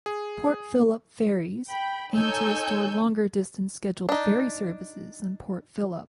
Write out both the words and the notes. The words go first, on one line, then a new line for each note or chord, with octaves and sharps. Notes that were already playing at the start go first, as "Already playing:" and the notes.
Port Phillip Ferries aimed to restore longer distance scheduled ferry services on Port Phillip.
G#4
G5 B5
D#4 A4 C#5 G#5 E6 G6
D4 D#4